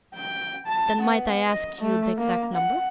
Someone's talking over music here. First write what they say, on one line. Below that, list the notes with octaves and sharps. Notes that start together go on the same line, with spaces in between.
"Then might I ask you the exact number?"
G5
A5
B3
D#5
A3
A#3
F#5